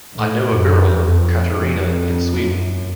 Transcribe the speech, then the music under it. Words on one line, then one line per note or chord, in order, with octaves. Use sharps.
I know a girl, Katerina, in Sweden.
A2
F#2
F2
F2
F#2